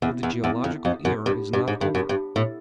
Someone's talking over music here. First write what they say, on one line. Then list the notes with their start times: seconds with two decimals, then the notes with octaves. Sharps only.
For the geological era is not over.
0.02 E2
0.23 E2
0.44 E2
0.64 F2
0.85 F2
1.05 F#2
1.26 G2
1.53 G2
1.68 G#2
1.81 G2
1.95 F#2
2.09 G2
2.36 A2